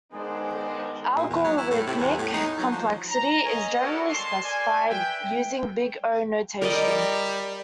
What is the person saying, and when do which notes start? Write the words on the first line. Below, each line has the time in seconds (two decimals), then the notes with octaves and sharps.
Algorithmic complexity is generally specified using Big O Notation.
0.13 D#3 G#3 B3 D4 G#4 C5
1.17 A#2
1.30 E2
1.44 F#3
1.57 E4
1.70 A2
1.87 C3
1.98 E2
2.18 A2
2.33 D#4
2.58 F#3
2.72 F3
3.09 A#5
3.45 C4 C#4 D#5 G#5
3.80 B3 D4 F#4 A4 A#4
4.09 G#3 A5 C6
4.43 A#4 D5 G#5
4.88 B4 E5 G5
6.62 G3 A#4 D5 D#5